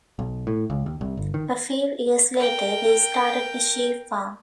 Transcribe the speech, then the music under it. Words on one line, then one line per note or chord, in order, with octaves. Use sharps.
A few years later they started a sheep farm.
B1
A2
C#2
D#2
C2
G1
D#3
A#4 G5